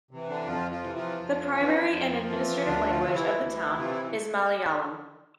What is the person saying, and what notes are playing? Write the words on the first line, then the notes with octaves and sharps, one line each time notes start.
The primary and administrative language of the town is Malayalam.
C3 E3
D3 D4
F2 F3 F4
F3 F4
C3 E3
F3 F4
F2
C3 E3
F2
C3 E3
D2 D3 D4
F3 F4
C3 E3
E3 E4
D2
C3 E3 F4
E4